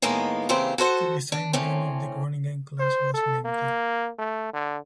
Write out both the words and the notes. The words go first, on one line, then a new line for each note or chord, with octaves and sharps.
The designed beam of the Groningen class was limited.
A2 D#3 G#3 A#3 B3
C#3 E3 A#3 C4 G4 C5
F#4 A4 C5 F#5
D4
A2 D3 C4 C#4
C5
A4
A#3
A3
D3